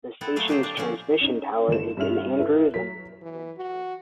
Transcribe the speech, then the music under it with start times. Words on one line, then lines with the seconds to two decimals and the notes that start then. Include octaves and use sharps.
The station's transmission tower is in Andrews and Midland County.
0.21 B3 C4 E4 A4
0.36 F#3 A3 A#3 G#4
0.48 D3 A#3 G4 C5 G5
0.63 D4 G5
0.77 D3 F3 C4 C#4 G4
1.21 C#4 D#4
1.68 G1 A3 E7
1.97 G2 C#4 E5 F6 F7
2.39 E4 A4 B4 E5
2.74 F#3 B6
3.22 E3
3.58 F#4